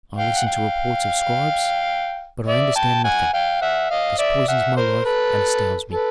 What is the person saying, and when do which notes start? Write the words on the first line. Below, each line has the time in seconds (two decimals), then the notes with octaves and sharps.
I listen to reports of scribes, but I understand nothing; this poisons my life and astounds me.
0.16 F5 G5
0.36 F#5
0.46 F5 G5
2.47 D5 E5
2.75 G5 A5
3.04 F#5 G#5
3.33 F5 G5
3.61 E5 F#5
3.90 D#5 F5
4.19 D5 E5
4.48 E5 F#5
4.77 A#4 C5
5.05 A4 B4
5.92 A4 B4